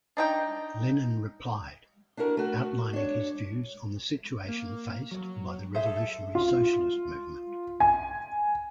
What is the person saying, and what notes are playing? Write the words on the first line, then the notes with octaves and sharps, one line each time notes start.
Lenin replied, outlining his views on the situation faced by the revolutionary socialist movement.
D4 D#4 G5
D4 E4 F#4 A#4
A3 F#4
D4 C#5
A#3
F#3
G#4 C5 E5
A4
F4
G#5